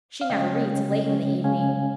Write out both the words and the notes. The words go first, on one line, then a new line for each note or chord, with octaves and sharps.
She never reads late in the evening.
F5
C#3 G#3 C#4 D#5 G5
C#3 G#3 C#4
C#3 G#3 C#4
C#3 G#3 C#4 F5 G#5